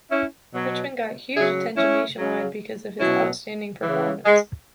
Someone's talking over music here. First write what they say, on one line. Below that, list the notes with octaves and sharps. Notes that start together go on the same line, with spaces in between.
Richmond got huge attention nationwide because of his outstanding performance.
C#4 E4
B2 F#3
C#3 F#3 E4 G#4
C#4 E4
C#3 F#3
B2 F#3 C#4 E4
C#3 E3
G#3